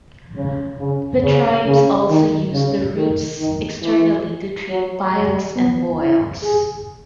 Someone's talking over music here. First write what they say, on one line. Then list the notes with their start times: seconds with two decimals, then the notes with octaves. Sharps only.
The tribes also used the roots externally to treat piles and boils.
0.36 C#3
0.79 C#3
1.22 C#3
1.66 C#3
2.09 D#3
2.52 C#3
2.95 D#3
3.39 D#3
3.83 E3
4.69 F#3
5.13 G#3
5.56 B3
6.00 E4
6.43 G#4